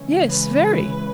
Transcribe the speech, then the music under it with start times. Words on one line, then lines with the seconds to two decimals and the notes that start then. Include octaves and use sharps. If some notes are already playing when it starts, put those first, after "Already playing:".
"Yes, very."
Already playing: C#3 E3 G#3 C#4
0.29 B4